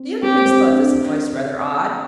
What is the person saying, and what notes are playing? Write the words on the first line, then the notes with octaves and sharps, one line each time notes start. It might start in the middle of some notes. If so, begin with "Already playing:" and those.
The young prince thought this advice rather odd.
Already playing: C4
C4 G4
C4
D4
D4